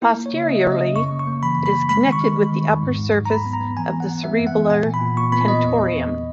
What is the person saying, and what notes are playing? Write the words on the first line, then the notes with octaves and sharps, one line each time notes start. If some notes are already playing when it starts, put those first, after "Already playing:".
Posteriorly, it is connected with the upper surface of the cerebellar tentorium.
A#3 E4
A#3
C#5
C#3
E5
C#3 D#5
C#3
D#5
C#3
F#2 C#6
A#3
C#6
A#3
E3 B5
F#2
B5
A#3
G#3 B5
D#3
C#6
G#3
G#3
D#3
E2
G#2
G#2
F#3
A#5
G#2 B5
B3
A#5
B3
E3 G#5
E3
F#5
B3
B3 E5
F#2
F#5
E3
A#2 G#5
A#2
B5
A#2
A#2 C#6
B3 B5
B3 D#5
E2
E2
E2